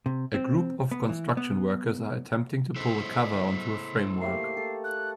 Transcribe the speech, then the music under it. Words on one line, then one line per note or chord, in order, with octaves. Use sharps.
A group of construction workers are attempting to pull a cover onto a framework.
C3
C4
B3
E3
B3
E4 A4 C5 B6
A3 A#3 G4 C7
A4
F#6